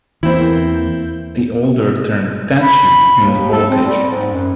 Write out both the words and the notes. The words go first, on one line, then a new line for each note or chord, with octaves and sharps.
The older term "tension" means "voltage".
E2 E3 A#3 C4 E4 G6
B5
D#2
A4
C4
G3
G#2
F#2